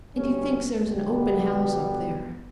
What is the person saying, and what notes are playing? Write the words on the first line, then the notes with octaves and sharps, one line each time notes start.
"And he thinks there's an open house up there."
D2 G2 C#4
B2 D3 G3 B3